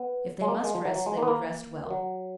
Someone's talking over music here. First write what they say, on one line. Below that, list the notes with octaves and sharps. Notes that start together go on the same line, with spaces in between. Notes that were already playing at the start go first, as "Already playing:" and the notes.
If they must rest they would rest well.
Already playing: B3
G#3
A#3
G#3
F3
F#3
F#3
G#3
A#3
B3
A#3
F#3